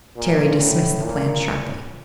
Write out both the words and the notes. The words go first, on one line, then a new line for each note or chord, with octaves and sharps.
Terry dismissed the plan sharply.
A#2
A2
A#2